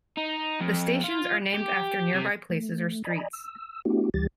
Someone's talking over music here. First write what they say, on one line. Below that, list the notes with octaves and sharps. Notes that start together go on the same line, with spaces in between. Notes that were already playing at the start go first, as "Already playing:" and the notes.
The stations are named after nearby places or streets.
D#4
F2
F4
G4
C3
A3
D5 D#5 G#5 A#5 B5
E6
A3 B3 D4 E4 F#4 G4
D2 E3 G3 G4 A6